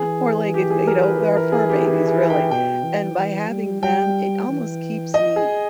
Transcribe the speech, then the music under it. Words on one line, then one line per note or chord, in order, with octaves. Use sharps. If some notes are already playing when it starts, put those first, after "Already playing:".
four-legged g you know, they're our fur babies, really and by having them, it almost keeps me
Already playing: E3 G#4
G4
G#4
A#4
B4
E3 B4
A#4
G#4
G4
G#4
G#4
G5
B2 G5
E3
E3
G3
G3 G5
E3
D#5
G#4